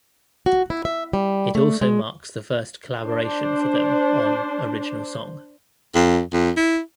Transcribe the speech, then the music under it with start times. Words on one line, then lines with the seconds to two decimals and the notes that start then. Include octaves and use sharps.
It also marks the first collaboration for them on original song.
0.46 F#4
0.70 E4
0.85 E5
1.13 G3
1.55 A3
1.81 G#3
3.06 D4 C5
5.95 F2
6.33 F2
6.57 E4